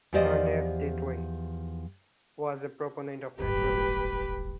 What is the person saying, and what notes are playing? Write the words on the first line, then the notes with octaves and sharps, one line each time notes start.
Ernst Didring was a proponent of naturalism.
E2 F3 G4 C5 D5 D#5
D1 G1 G4 B4